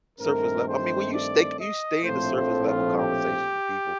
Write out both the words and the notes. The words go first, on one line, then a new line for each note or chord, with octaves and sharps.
surface-level I mean, when you stake you stay in the surface-level conversations with people
G2 D#3 A3 C4 A#4
C5
D5
D#5
A#1 A2 F3 A3 C4 C5
C5
F4
G4